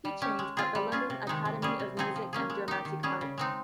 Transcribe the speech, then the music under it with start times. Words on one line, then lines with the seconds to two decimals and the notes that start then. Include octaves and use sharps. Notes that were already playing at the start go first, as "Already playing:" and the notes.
He trained at the London Academy of Music and Dramatic Art.
0.05 G3
0.22 C#4 G4
0.39 G#3
0.57 C4 F4 G#4
0.75 G3
0.92 C#4 F4 G#4
1.10 C3
1.27 D#3 G#3 D#4
1.45 C3
1.62 G3 C#4 G#4
1.80 C3
1.97 F3 C4 D#4 G#4
2.16 F3
2.33 A#3 C#4 G#4
2.50 G#3
2.68 D#4 G4
2.85 D#3
3.03 G3 C#4 G#4
3.21 C#3
3.38 G#3 C4 D#4